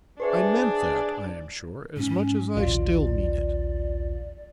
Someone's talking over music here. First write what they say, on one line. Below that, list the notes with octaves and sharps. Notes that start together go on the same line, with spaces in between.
I meant that, I am sure, as much as I still mean it.
D4 G#4 B4 C5 E5
G#2 C#4
A#1 D#2 F4 D5